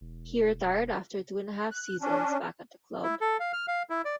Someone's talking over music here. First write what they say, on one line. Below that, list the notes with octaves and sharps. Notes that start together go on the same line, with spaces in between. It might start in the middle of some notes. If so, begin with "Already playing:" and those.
He retired after two and a half seasons back at the club.
E1
F#6
C#4 D4
E4
A4
F5
F6
F5
E4
D5